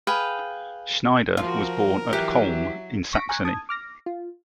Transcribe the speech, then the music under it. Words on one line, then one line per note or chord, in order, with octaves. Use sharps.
Schneider was born at Collm in Saxony.
G#4 B4 F5 G5
F3 F4 F#4 A#4
E3 F#3 G4
C#6 A#6 B6 D7
G#5 A#5 C#6 F#6
A5 D#6 G#6
D6 F6 A#6
F4